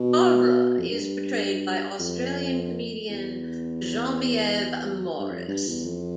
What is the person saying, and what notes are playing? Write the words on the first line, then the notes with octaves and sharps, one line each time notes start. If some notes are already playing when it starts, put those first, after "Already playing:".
Barbara is portrayed by Australian comedian Genevieve Morris.
Already playing: B2
F2
G2
F2
E2
G2
F2
G2
E2
F2